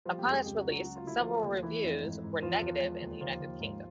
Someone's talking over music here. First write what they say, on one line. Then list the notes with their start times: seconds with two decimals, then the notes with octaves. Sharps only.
Upon its release, several reviews were negative in the United Kingdom.
0.05 F3 G3 F4
0.18 G3 G4
0.25 F2
0.31 G#3 G#4
0.44 C#2 G3 G4
0.58 F#3 F#4
0.64 C#2
0.71 F#3 F#4
0.84 F#3 F#4
0.96 F4
1.04 D2 E4
1.19 F3 A3 F4
1.43 D#2
1.63 E3 A3 E4
1.83 F2
2.03 G#2
2.23 G#2
2.42 E2 F3 F4
2.62 E2
2.82 G#3
3.01 D#2
3.21 D#2 F3 F4
3.40 D#2
3.60 G#2